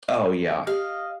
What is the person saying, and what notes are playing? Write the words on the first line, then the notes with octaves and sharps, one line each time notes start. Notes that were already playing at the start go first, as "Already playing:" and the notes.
Oh, yeah.
G4 D#5 F5